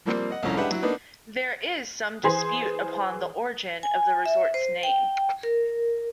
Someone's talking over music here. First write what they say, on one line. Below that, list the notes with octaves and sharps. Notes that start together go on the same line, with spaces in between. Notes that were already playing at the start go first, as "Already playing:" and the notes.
There is some dispute upon the origin of the resort's name.
F3 G3 A#3 C4
D#5 F#5
C2 F2 A2 C#4 A#5
G#3 D4 G4 B4 E5 F#5
F#3 E4
A#3 B3 D4 D#4 B4
E3 G#4 C5 G#5 C6
G#5
E5
C5
G5
A#4